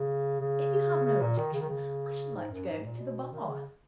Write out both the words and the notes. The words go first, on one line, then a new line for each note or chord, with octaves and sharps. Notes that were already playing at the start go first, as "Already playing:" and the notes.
If you have no objection, I should like to go to the Bar.'
Already playing: C#3
C#3
C#3
A#2
D#3
C#3
D#3
C#3
G#2
F#2
G#2
A#2
B2
D#3
C#3